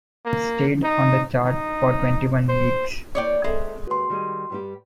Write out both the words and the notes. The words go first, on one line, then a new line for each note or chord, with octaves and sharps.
It stayed on the chart for twenty-one weeks.
A#3
D#4
D#4
C5
A#3 E4 C#5 D5 G5
G#3 C4 A4 E5
D#2 F#4 B4 C6
D#3 G3 G#4
G2 G3 G4